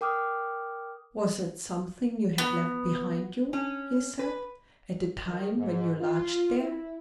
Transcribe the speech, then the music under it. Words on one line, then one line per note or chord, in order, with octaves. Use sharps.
"Was it something you had left behind you," he said, "at the time when you lodged there."
A#4 G5 D6 D#6 F6
B3
C#4
B4
D#3
G#2
F4
E4